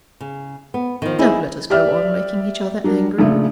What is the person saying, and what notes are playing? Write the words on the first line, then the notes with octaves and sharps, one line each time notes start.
'Don't let us go on making each other angry.
C#3
B3
D#3 F3
D#4 E4 G#4
G4 D5 E5 F6
F#3 D4 A#4
A#1 C#3 A3